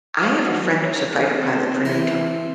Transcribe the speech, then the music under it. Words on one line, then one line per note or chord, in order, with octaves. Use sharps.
I have a friend who's a fighter pilot for NATO,
F5
F#4
F#3
C#5
D#3
C4
E3 C4